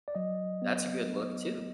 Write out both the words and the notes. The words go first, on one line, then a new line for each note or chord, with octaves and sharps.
that's a good look too.
D5
F#3 D#5
B3